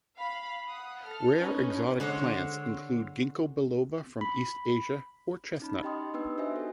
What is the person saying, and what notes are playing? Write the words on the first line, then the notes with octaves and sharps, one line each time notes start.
Rare exotic plants include Gingko biloba from East Asia or chestnut.
F5 B5
F#5 D#6
A4 F6
C#4 D#4 B4 D#5
D3 G#3 C5 C#5
B5
C#4 D#4 B5
D#4 G4 D#5 G5 C6 D#6
B3 D4 D#4 B4 G5 E6
F#4 G4 C5 D#5 E5 G#5
G4 A4